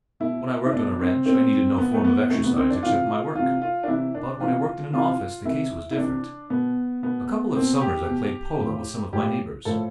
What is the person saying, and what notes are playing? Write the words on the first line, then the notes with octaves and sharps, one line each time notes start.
When I worked on a ranch, I needed no form of exercise except my work, but when I worked in an office the case was different. A couple of summers I played polo with some of my neighbors.
B2 E4
E4
B2 D4
C4
B2 C4
B2 B3
A3
B3
C3 E3 A3
B3
C4
D4
C3 E3 F4
C3 E3 F4
F4
D4
C3 E3 E4
D4
C3 E3 F4
C3 E3 F4
C3 E3 E4
E4
C3 E3 D4
B2 B3
B2 B3
B2 C4
G4
B2
A2 F3
A2 F3 G4
A2 F3 A4